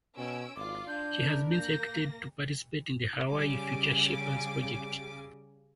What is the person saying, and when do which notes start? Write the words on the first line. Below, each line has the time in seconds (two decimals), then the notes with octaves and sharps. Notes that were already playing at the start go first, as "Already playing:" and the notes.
She has been selected to participate in the Huawei Future Shapers Project.
0.18 B2 C#4 E6 D7
0.56 G#1 F4 D5 D6
0.88 D4 G6
1.20 E4 A#4
1.51 A#3 G6 A#6
3.30 C#3 G3 G#5 D6